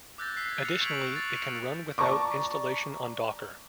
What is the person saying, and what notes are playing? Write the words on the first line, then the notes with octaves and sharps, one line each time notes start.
Additionally it can run without installation on Docker.
D6 E6 F#6 G6 A6 A#6
E6 F#6 B6 C7
G#6 B6
F6 C#7 F7
C#6 G#6 B6 D7 F7 F#7
F#6 A6
D5 A5 A#5 C#6 D6